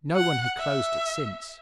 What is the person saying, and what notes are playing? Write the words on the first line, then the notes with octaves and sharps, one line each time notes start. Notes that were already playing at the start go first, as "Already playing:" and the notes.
No one had closed it since.
F#5
E5